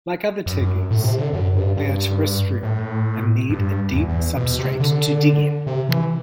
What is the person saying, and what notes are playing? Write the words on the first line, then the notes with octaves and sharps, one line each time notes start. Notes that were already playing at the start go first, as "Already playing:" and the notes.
Like other tegus, they are terrestrial and need a deep substrate to dig in.
F#2
F#2
A2
C3
D3
F#2
G2
G2
A2
G2
E2
E2
B2
C3
D3
C3
E3